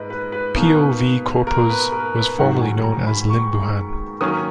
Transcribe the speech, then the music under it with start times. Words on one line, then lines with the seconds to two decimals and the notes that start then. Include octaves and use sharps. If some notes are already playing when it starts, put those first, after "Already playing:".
Pio V. Corpuz was formerly known as Limbuhan.
Already playing: G#2 B4 D#5
0.10 B4
0.32 B4
0.56 B2 A#3 D#4
1.47 A#4
1.70 B4
1.92 A#4
2.15 B4
2.38 G#2 D#3 F#3 F#5
2.61 G#5
2.84 A#5
3.07 B5
3.30 C#6
4.21 D#3 F#3 A#3 C#4 D#6